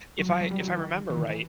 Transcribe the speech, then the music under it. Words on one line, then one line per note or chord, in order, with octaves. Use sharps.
if I if I remember right,
F#3
F3
F#3
G3
F#3
E3
D#3
E3
D#3
E3